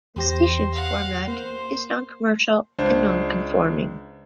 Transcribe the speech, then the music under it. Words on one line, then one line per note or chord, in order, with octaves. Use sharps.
The station's format is noncommercial and nonconforming.
E2 G4 C5 A#6
F5 F#5
A#3 C5
C#2 D4 C5